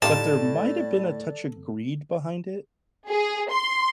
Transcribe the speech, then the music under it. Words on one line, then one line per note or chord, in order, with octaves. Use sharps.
but there might've been a touch of greed behind it,
A2 G3 D#4 F4 D5 A5
G#4
C6